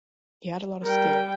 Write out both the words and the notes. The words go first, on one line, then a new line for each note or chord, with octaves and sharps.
He had a lot of skill.
G3 A#4 G5